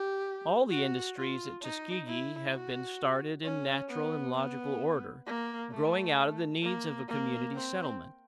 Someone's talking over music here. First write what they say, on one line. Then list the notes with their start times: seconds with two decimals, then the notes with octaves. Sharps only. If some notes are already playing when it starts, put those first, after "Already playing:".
All the industries at Tuskegee have been started in natural and logical order, growing out of the needs of a community settlement.
Already playing: G4
0.70 F#4
1.17 F4
1.62 D#4
2.07 E4
2.53 F#4
3.44 C#4
3.89 B3
4.35 B3
5.26 A#3
5.71 A3
6.63 A#3
7.08 A#3
7.54 C4